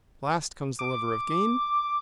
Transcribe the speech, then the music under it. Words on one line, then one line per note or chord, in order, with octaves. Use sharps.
Last comes the lover of gain?
D6